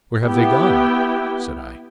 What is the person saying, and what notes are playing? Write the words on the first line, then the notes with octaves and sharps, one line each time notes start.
"Where have they gone?" said I.
B3 E4 G4 G5